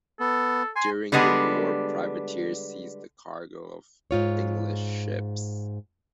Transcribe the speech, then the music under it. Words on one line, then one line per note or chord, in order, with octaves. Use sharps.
During the war, privateers seized the cargo of English ships.
B3 A4
G#5 C6
D3 G3 G#3 B3 D4
G#2 F4 C#5